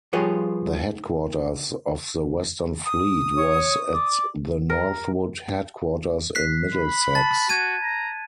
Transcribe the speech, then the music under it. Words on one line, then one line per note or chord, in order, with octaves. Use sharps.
The headquarters of the Western Fleet was at the Northwood Headquarters in Middlesex.
F3 G3 F4 G#4 B4 C#5
D#6
C#5
D5
A#4
F#6 B6 C7
B5
A5 A6
F#4 G#6 D#7
A#5